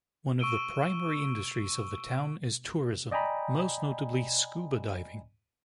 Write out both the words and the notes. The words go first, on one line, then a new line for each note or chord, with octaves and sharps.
One of the primary industries in the town is tourism, most notably scuba diving.
C#6 E6 D7 D#7 G7
D5 D#5 G5 G#5 A#5 B5